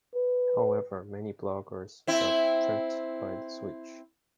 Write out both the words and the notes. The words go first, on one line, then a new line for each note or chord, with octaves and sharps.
However, many bloggers felt tricked by the switch.
B4
C4 E4